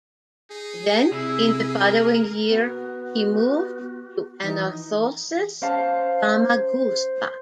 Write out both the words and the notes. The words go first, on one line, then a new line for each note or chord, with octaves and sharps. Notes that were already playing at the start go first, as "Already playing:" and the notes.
Then in the following year he moved to Anorthosis Famagusta.
D#4 G#4
C3 A#3 E4
A#4
B3 F#4
E3 D#4
C#4 C5 F5 A5